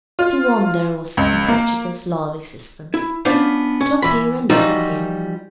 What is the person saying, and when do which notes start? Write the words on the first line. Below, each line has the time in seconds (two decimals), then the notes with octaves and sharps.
To wander was the Comprachicos' law of existence--to appear and disappear.
0.19 F4
1.17 C#2
1.48 A#3
2.94 E4
3.25 B3 C#4 D4 F4 C5
3.81 C#4
4.02 E3 B5
4.50 E3 F3 G3 D#4 F4 F#4